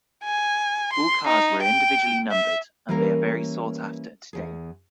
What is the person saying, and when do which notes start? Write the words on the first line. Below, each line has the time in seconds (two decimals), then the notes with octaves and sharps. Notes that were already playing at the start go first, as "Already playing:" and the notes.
All cars were individually numbered and they are very sought-after today.
0.24 G#5
0.93 C6
1.27 D#4
1.63 G5
2.31 E5
2.89 E3 G3 A#3 C#4 A#4
4.33 E2 G#4